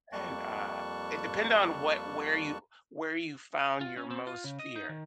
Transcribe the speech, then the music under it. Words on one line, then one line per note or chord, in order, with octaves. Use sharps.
and, uh, it depended on what where you where you found your most fear.
F2 G3 A#3 A5 C#6 F#6
F4
C#4
C4
F4
C#3
D#5
D#4
D#3